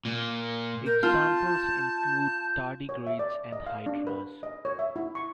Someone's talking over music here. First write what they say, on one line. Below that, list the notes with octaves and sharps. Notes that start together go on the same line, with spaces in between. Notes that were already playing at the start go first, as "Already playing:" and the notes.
Examples include Tardigrades and Hydras.
A#2
A#4 G6
F4 A5
C#5
E5
D5
D#5
F5
D4
B4
D#5
C#5
E5
E4
C#6